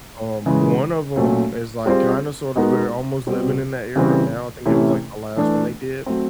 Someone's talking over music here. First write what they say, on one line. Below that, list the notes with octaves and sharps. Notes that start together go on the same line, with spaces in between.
um, one of 'em is, like, kinda sort of we're almost living in that era now; I think it was, like, the last one they did,
C#3 E3 G#3
A#2 F#3 A3 C#4
G3 C4 F4 G#4 C5
G#3 B3 D#4 F#4 A#4
B2 G3 C4
C#3 E3 G3 C4
C3 E3 A3 C#4 E4
E3 A3 D4
F#3 A3 C4